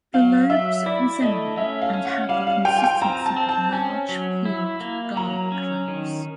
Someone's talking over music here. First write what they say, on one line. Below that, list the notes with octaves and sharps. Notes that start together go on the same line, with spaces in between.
The lobes resemble, and have the consistency of, large peeled garlic cloves.
F#3 F5
F#3 E5
E4 D5
A3 D#5
C#4 E5
F5
C#4
F#5
G3 F5
F5
F4 G5
G#5
G5
C4 A#5
A5
C4
A5
C#4 G#5
F#3
E4
A#3
F#3 A#5
C#4
D#3